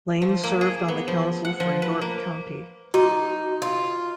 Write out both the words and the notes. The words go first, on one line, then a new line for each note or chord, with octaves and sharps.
Lane served on the council for York County.
F3
A#3
G#4
B3
F3
F#5
F3
B4
A#3
D#4 F#4 D6
F4